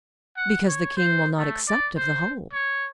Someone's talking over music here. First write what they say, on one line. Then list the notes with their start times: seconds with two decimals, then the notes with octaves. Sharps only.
"Because the king will not accept of the whole."
0.37 F#5
0.68 C#5
0.97 C5
1.38 A3
1.68 D5
1.97 C5
2.53 C#5